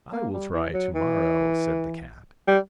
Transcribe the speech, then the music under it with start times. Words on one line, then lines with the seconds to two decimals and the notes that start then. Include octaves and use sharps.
"I will try to-morrow," said the cat.
0.13 A#3
0.34 G3
0.53 E3
0.74 F#3
0.95 E3
2.48 G3